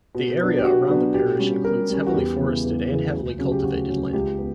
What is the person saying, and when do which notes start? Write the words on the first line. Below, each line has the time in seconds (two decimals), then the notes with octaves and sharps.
The area around the parish includes heavily forested and heavily cultivated land.
0.15 B2
0.39 F#3 B3 D4
0.58 G4
0.64 B2 F#4
0.89 F#3 B3 D4
1.14 B2 G4
1.39 G3 C#4
1.64 B2 A#4
1.89 G3 C#4
2.07 F#4
2.14 E2 G4
2.39 C#3 E3 B3
2.64 E2
2.89 C#3 E3 B3
3.14 D2
3.39 C#3 F#3 C#4
3.52 G4
3.63 D2 F#4
3.89 C#3 F#3 C#4
4.13 C#2 G4
4.39 B3